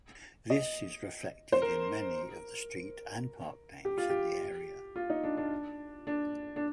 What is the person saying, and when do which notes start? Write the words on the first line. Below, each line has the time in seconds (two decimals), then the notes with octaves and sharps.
This is reflected in many of the street and park names in the area.
0.50 D#5
1.52 C5
1.62 A#4
3.85 G4
3.98 F4
4.10 G4
4.96 F4
5.10 D#4
5.24 D4
5.37 D4
6.07 D4
6.56 D4